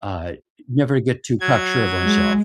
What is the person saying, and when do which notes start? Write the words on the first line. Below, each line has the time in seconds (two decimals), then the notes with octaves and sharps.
uh, never get too cock sure of oneself.
1.40 F#3 G#6
2.02 G#3